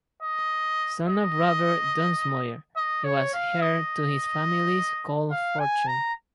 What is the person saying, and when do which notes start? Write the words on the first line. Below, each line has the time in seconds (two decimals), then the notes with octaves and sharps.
Son of Robert Dunsmuir, he was heir to his family's coal fortune.
0.22 D#5
1.07 D#5
2.76 D#5
3.04 C#5
3.34 F5
3.62 D#5
5.31 F5
5.59 G#5
5.87 A#5